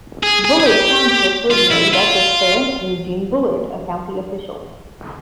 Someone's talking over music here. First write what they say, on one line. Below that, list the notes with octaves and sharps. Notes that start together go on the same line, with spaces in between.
Bullard Township was named after Clarence Eugene Bullard, a county official.
G#4
G#4
G#4
G4
F4
E4
F4